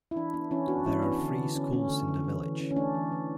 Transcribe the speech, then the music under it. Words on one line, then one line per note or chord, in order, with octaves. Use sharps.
There are three schools in the village.
E4
E3 D4
B3 D4
E3 C#4 E4
B3 D4 F#4
E3 C#4 E4
B3 D4
D3
D3
C#4
A3 C#4
D3
D3
E3
E3
C#4
C#4
A3 D4
E3
E3